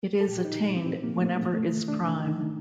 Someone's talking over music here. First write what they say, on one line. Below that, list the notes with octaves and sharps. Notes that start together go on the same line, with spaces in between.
It is attained whenever is prime.
A4
A#2 G4
F3 D#4
A#2
F3 C4
A#2
A#3
F3
A3
A#2 A#3
A#2
C3 A3
D#3
D#3 D4
C3
D#3 D#4
D#3